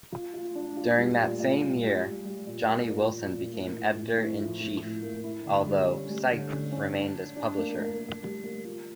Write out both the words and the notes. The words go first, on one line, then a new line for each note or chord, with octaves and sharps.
During that same year, Johnny Wilson became editor-in-chief, although Sipe remained as Publisher.
F4
F4
D4
F4
G3
A#2
A#2
G3
G3
G3
G3
A#2
A#3
A#2
A#2
A#2
A#3
A2
A2
A2
F3
A2
A2
A#3
E4
D3
G3
C#4
G3
D3
C#4
C#4
D4
D4
D4
A#3
A#3
A#3
G3
A#3
F4